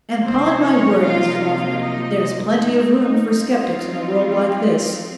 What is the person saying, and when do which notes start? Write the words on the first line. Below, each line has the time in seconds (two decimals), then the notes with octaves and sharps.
And 'pon my word, Mrs Lawford, there's plenty of room for sceptics in a world like this.'
0.23 C3 F3 A#3 C4 D#4 C5
0.62 C#4 C#5
1.01 F4 F5
1.40 F4 F5
1.80 D#4 D#5
2.58 D#4
2.98 D#4
3.36 F3 C4 D#4 F4